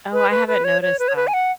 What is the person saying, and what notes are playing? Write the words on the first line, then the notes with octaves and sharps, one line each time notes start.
Oh, I haven't noticed that.
B4
B4
B4
C#5
C#5
B4
C#5
B4
G#5
F#5